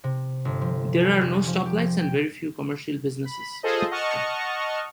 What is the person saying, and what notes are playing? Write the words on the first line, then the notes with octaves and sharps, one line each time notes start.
There are no stoplights and very few commercial businesses.
C3
G1
F3
G#5
F1
F3
G4
G5
B5
F4 G#4 A4 C5 D#5
D#5 F#5 A5 C#6 F6